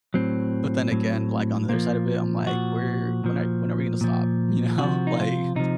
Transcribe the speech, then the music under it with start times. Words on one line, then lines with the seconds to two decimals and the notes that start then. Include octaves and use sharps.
But then again, like, on the other side of it, I'm, like, "Where when are when are we gonna stop"? You know, like,
0.14 A2 F#3 C4
0.91 A2 F#3
1.69 A#2 F3 A#3
2.46 A#2 F3 F#4
3.24 A#2 F3
4.01 A#2 F3
4.78 C3 F3 F#4
5.07 D#4
5.17 F4
5.56 C3 F3 D#4